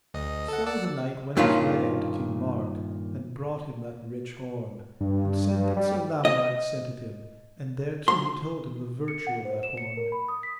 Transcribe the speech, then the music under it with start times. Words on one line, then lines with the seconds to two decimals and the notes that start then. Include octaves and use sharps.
So the knight went his way unto King Mark, and brought him that rich horn, and said that Sir Lamorak sent it him, and thereto he told him the virtue of that horn.
0.14 D2 D#5
0.48 A4 F#5
0.66 D5 F#5 E6
1.37 G2 A#2 D#3 C#4 F4
5.01 G2
5.77 G3
6.25 D#5
8.08 C6
9.08 C#7
9.27 F#5
9.45 C5
9.63 E7
9.77 C#7
9.97 A#4
10.12 B5
10.28 D#6
10.43 B6